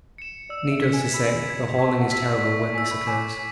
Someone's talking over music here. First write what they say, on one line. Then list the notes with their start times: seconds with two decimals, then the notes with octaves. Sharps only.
Needless to say, the hauling is terrible when this occurs.
0.18 C#7 E7
0.49 D5 E6
0.72 E5
0.82 G#6 B6
0.93 G#5
1.14 B5 E6
1.47 G#6 B6
1.79 A5 C#6
2.00 F#5
2.11 E6 B6
2.22 E5
2.42 D5 C#6
2.59 E5
2.75 G#5 E6 B6
2.91 B5
3.07 G#5 D6